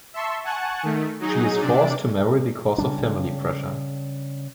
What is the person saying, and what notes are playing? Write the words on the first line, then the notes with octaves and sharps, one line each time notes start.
She is forced to marry because of family pressure.
E5 A5 C6 C#6 E6
F#5 G#5 A5 C#6 F#6
D#3 A3
F#3 D#4 G#4
C3 D4 D5
C#3 G3 D4